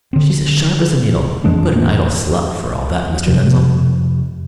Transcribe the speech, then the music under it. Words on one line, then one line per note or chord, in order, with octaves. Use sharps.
She's as sharp as a needle, but an idle slut, for all that, Mr. Denzil.
D3 C4
F2 E3 G#3 D4
F2 C3 F3